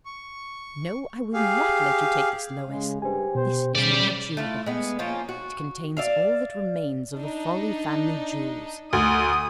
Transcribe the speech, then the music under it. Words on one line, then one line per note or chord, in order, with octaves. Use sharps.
No, I will not let you take this, Lois; this is my jewel-box--it contains all that remains of the Fawley family jewels.
C#6
G4 G#4 F5
C#3 G#3
G2 G4 C5 G#5
B2 C5
C#3 G3 D5
A3 E4 F4
G#3 B3
F3 A#3 C#4 F4
F#4
D5 E5 F5
D4 D#4
D2 D#6